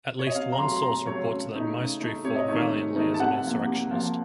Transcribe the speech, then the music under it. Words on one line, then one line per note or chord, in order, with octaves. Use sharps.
At least one source reports that Maestri fought valiantly as an insurrectionist.
C#5
D#5
C3 F5
A#5
F#3 A3 C6
C6
C3 A#5
F#3 A3 C#5
C#3
A3 D#4
C#3
A3 D#4
C3 C#5
D#5
D#3 A3 D#4 C#5
C3
D#3 A3 D#4
A5
C3 F#5
F3 A#3
C3
F3 A#3